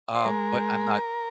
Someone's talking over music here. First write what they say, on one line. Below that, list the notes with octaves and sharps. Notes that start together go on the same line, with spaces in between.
um, but I'm not
C5
G#3 A#4